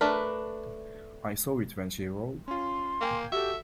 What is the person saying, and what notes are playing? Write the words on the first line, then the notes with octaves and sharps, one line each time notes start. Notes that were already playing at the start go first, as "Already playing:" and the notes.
I saw it when she rolled.
A3 D4 A#4 B4
C#4 F4 C6
A#3 F5 G5 G#5
F#4 G4 A4 E5